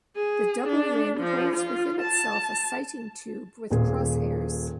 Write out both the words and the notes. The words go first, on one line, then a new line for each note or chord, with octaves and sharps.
The double ring holds within itself a sighting tube with crosshairs.
G#4
D4
F3
F4
A5
D#1 A#2 G#4